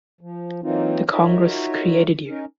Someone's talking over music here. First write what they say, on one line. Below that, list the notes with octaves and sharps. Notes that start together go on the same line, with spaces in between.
The Congress created you.
F3
E3 F#3 A#3 C4 D#4 F4
D#4 F4 F#4 A#4 C#5 E5
C#4 D#4 A#4